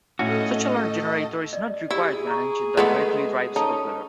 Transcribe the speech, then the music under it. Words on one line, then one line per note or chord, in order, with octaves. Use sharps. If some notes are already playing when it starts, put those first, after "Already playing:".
Such a large generator is not required when an engine directly drives a propeller.
A2 C#4 F#4 A4 D#5
D5 D#5
E4 G4 G#4
A#5 C#6
G#3 A3 B3
C#4 D#4 A4 A5 D#6